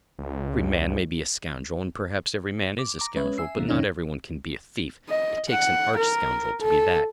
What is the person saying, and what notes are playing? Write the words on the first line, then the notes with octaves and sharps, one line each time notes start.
Every man may be a scoundrel, and perhaps every man is a scoundrel, but not every one can be a thief, it takes an arch-scoundrel to be that.
C#2
D6
A#5 D6
G#3 C#4 B4 C#5 E5
E5 G#5 E6 C7
C#2 A#2 D#3 A3 B3
F2 C3 D#3 F#3 C#4 D#4
D#5
F#5
A#4
A4